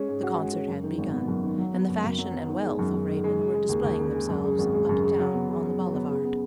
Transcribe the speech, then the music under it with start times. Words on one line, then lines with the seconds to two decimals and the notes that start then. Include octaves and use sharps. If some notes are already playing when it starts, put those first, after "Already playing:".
The concert had begun, and the fashion and wealth of Raymond were displaying themselves up town on the boulevard.
Already playing: G#3 C#4
0.08 G#2
0.23 F#4
0.38 G#3
0.53 C#4
0.68 F#2
0.83 D#3
0.98 G#1
1.13 B3
1.28 F#2
1.44 D#3
1.58 F#3
1.73 B3
1.89 F#2
2.04 F#2
2.19 F#3
2.34 B3
2.49 D#3
2.63 G#3
2.79 F#2
2.94 F#2
3.09 D#3
3.24 G#3
3.39 C#3
3.54 G#3
3.69 D#2
3.84 D#2
3.99 C#3
4.14 G#3
4.29 F#2
4.44 C#3
4.59 G#1
4.74 G#3
4.89 F#2
5.04 C#3
5.19 F#3
5.34 B3
5.49 C#3
5.64 C#3
5.79 F#3
5.94 B3
6.09 C#3
6.25 B3